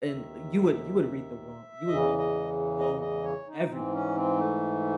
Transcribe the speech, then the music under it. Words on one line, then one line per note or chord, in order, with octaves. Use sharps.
and you would you would read the wro you would read the room so wrong everyone read the room so wrong,
D#2 D#3 E5
E2 C#3 E3 D#5
D#5
D#5
D#5
C#5
D#4
G#2 E3 C4
C#4
C4
A3